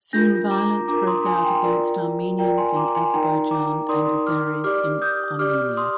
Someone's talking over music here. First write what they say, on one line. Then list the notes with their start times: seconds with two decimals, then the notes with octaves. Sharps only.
Soon, violence broke out against Armenians in Azerbaijan and Azeris in Armenia.
0.13 D4 F4 A#4 G6 A#6
0.51 A#5 D6
0.88 D4 F4 A#4 A#5 D6
1.07 C6 D#6
1.26 G#5 C6
1.38 C6
1.44 G5 A#5
1.63 F4 A#4 D5
2.39 F4 A#4 D5 G5 A#5
2.58 G#5 C6
2.77 A#5 D6
2.95 G#5 C6
3.14 D#4 A#4 D5 G5 A#5
3.51 A#5 D6
3.89 D#4 A#4 D5 C6 D#6
4.27 D6 F6
4.64 G4 D5 D6 F6
5.02 D#6 G6
5.39 G4 D5 D6 F6
5.77 C6 D#6